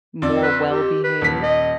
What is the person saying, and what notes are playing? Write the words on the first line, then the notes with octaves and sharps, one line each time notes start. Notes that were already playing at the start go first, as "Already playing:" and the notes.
more well-behaved?
F2 D5
B4
G4
B4
D#1 B6
D#5